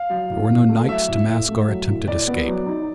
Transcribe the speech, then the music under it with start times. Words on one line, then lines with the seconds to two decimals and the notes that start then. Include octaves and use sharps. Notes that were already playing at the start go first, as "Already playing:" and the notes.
There were no nights to mask our attempted escape.
Already playing: F5
0.10 F#3
0.30 A2
0.49 A2
0.69 A3
0.89 F#3 E5
1.08 A2
1.28 A2
1.48 A3
1.68 F#3
1.87 A2
2.07 A2 D5
2.27 B3
2.47 F#3
2.67 D#4